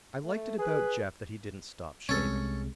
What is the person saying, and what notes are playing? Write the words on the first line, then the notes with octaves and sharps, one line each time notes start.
I liked it about Jeff that he didn't stop shaving.
A3
G#4 B4
C2 C3 G#3 C#4 A4